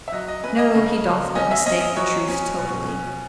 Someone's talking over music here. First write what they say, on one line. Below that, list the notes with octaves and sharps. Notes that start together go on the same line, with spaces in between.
No; he doth but mistake the truth totally.
E5
F#3 D#5
D#5
C#4 B4
D#5
C#3
F#3
C#4 D#5
E5
C#4 D#5
D#5
F#3 C#5
C#4
B2
C#4